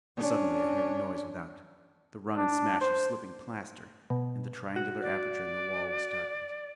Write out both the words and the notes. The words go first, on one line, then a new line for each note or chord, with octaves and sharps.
Suddenly I heard a noise without, the run and smash of slipping plaster, and the triangular aperture in the wall was darkened.
C#4 D4
D4
C5
B2
F#4
D5